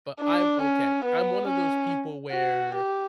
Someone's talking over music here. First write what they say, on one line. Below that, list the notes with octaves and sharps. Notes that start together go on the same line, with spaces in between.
but I'm okay." I'm one of those people where
D4
C#4
B3
C#4
F#4
G4